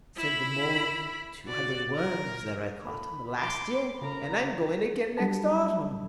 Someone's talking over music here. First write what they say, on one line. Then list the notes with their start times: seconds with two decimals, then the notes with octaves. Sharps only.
Said the mole, "Two hundred worms--there I caught 'em Last year, and I'm going again next autumn."
0.17 E4 B5
1.45 F#4 D5
1.95 A#4
2.85 A#3 A4 B5
3.38 C6 D6
4.01 C#3 A4 A#4 A#5
5.18 F#3 G3 D4 A4 A5